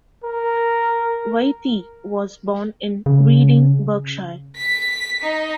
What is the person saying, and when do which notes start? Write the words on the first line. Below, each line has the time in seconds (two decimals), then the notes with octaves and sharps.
Waite was born in Reading, Berkshire.
0.24 A#4
3.06 C#3
4.57 B6
5.22 D#4